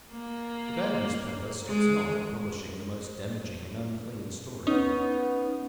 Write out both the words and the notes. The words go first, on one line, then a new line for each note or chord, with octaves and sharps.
The bad newspaper stops not at publishing the most damaging and unclean story.
A#3
G#3
B3 C#4 D#4